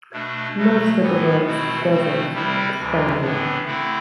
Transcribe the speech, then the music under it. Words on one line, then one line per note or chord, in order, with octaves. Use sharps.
Most of the world's deserts expanded.
B2 A3 D4
B2 F#3 A3
A2 E3 B3
B2 A3 C4 E4
B2 A3 C4
C3 G3 C4 E4
D2 C3 E3
A2 E3 B3 D4
D3 A3 C4 E4